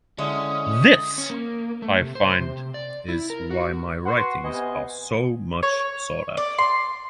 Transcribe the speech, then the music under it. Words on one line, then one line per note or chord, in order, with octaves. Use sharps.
"This" I find is why my writings are so much sought after.
D3 G#3 C#4 D4 E4 D#6
C#4
A#3
A3
C3
C5
C3
D5
E4
A#4
F#4
F#4 B4 F#5 C6
C3 B3 D#5 G#5
C#5
D5
C6